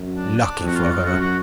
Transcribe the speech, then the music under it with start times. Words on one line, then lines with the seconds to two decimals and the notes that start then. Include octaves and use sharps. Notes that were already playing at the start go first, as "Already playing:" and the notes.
Lucky for her!
Already playing: F#2
0.14 D4
0.37 D4
0.60 F2
0.66 F#4
0.75 F4
0.84 F#4
0.90 F4
1.05 F#2 F#4
1.20 F#4